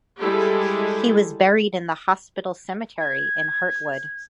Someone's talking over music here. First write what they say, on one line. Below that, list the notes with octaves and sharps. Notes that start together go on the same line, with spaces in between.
He was buried in the hospital cemetery in Hartwood.
G3 G#3 E4 G4 A4
G#6